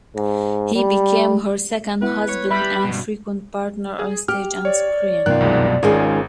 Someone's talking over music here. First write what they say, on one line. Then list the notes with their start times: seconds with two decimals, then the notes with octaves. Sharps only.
He became her second husband and frequent partner on stage and screen.
0.15 G#2
0.75 G3
2.02 B3 E4 B4 F#5
2.29 C#5
2.51 G3 G4 E5 B5
2.84 G2 B2
3.99 G#4
4.28 G4 F6
4.65 C#5 D5
5.26 F#2 B2 D#3 F4 F#6
5.41 C2 F2 G#3
5.83 G#1 D#3 G#3 C#4 F4 G#4